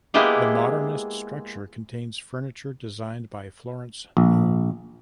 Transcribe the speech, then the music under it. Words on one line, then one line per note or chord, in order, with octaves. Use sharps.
The Modernist structure contains furniture designed by Florence Knoll.
G#3 A#3 B3 E4 G4 G#4
A#1